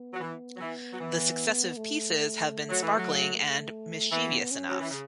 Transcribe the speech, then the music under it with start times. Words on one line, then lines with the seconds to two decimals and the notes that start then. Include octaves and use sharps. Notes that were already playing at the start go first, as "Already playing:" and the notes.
The successive pieces have been sparkling and mischievous enough.
Already playing: B3
0.13 F#3
0.20 E3
0.55 F#3
0.60 E3
0.93 F#3
1.00 E3
1.77 A3
2.69 F#3
2.83 E3
2.97 F#3
3.34 A3
4.12 E3 B3
4.51 C#4
4.70 F#3
4.80 E3
4.91 C#3